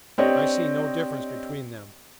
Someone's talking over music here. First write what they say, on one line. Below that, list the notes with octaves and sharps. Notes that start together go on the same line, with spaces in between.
I see no difference between them.
C4 D4 G4 C#5 D#5